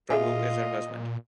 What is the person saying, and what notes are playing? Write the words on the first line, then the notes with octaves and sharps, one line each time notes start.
Prabhu is her husband.
A#2 F4 G#4 D#5 E5 G#5